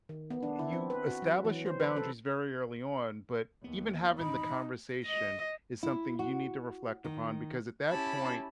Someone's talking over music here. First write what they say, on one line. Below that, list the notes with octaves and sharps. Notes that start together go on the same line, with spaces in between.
y you establish your boundaries very early on, but even having the conversation is something you need to reflect upon because at that point,
D#3
B3
D4
E4
C4
B4
F#4
F#3
E3
C5
B4
A4
D#2 B3
D#1 G#1 E2 D#4 B5
D#5
E4
F#4
D#3
C#4 E4 G4 A5 B5